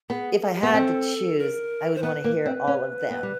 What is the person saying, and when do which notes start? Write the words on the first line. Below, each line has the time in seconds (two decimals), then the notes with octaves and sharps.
if I had to choose I would wanna hear all of them.
0.10 B3 G#4
0.42 A4
0.54 G4
0.63 B3 G#4
0.73 C4 A4
1.38 A#4
1.95 C5
2.03 B3 B4
2.24 A#3
2.46 C4
2.67 C#4
3.10 B3
3.23 G3